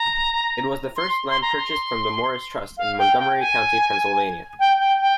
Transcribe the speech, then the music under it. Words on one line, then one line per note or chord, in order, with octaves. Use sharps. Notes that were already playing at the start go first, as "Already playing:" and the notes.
It was the first land purchased from the Morris Trust in Montgomery County, Pennsylvania.
Already playing: A#5
C6
C6
A#5
C6
F5
G5
G5
G#5
G5
G5
G5